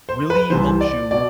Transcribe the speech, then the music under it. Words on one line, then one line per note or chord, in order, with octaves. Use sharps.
really helps you
C5
B4
C2 C3 E3 C5
D5
B2 D5